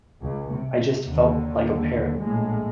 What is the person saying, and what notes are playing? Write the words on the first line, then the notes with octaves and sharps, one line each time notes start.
I just felt like a parrot.
C#2
C3
D#2 D3
A#1 A2 G#3